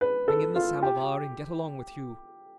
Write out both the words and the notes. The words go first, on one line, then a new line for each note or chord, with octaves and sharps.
Bring in the samovar, and get along with you.
B4
A4
F4
G4